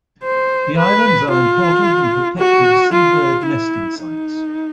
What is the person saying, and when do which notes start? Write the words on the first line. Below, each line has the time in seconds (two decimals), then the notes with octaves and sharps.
The islands are important and protected seabird nesting sites.
0.24 C5
0.77 B4
1.31 F4
2.38 F#4
2.93 F4
3.46 E4
3.99 D#4